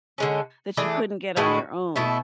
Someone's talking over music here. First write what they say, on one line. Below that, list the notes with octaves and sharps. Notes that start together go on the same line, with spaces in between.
that you couldn't get on your own.
D3 G#3 C#4
E3 A3 D4 G#4
A2 G#3 B3 F#4
B2 A3 E4